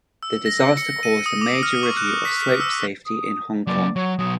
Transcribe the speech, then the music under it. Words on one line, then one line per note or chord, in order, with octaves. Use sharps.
This disaster caused a major review of slope safety in Hong Kong.
E6
A#6
C#7
D#7
D#6
D6
F6
C#6
F#6
B6
E6
D#6
F#3 A#3 D5
F#3 C#5
B1 F#3 D#6